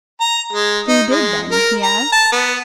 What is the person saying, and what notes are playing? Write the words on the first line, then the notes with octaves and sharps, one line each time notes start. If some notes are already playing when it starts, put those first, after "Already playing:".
"Who did, then?" he asked.
A#5
G#3
D#4
G#3
A#4
A#5
A5
B3